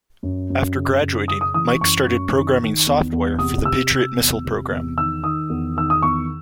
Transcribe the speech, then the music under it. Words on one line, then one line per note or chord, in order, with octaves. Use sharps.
After graduating Mike started programming software for the Patriot Missile program.
F#2
F#2
C#3
F#2
C#3 D#6
D#6
E3 D#6
C#6
F#2 C#6
F#2
D#3
D#3
E2
E2
C3 D#6
C3 E6
C3
E2
C3
E2
D#3 E6
D#3 D#6
E2
D#3 E6
D#6
E2 C#6